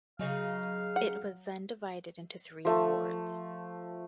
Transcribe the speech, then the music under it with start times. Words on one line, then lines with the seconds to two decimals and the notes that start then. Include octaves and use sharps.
It was then divided into three wards.
0.19 C#3 F#3 D#4 G#4 F5
0.96 F#5
2.65 F3 A3